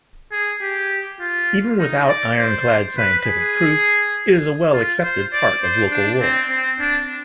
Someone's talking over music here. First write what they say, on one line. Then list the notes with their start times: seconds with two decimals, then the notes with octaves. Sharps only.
Even without ironclad scientific proof, it is a well-accepted part of local lore.
0.32 G#4
0.61 G4
1.20 F4
1.79 D#4
2.09 D5
2.38 C5
2.98 B4
3.27 G#4
4.74 F4
5.03 C5
5.33 D5
5.62 C5
5.91 D4
6.21 C4
6.50 C4
6.80 D4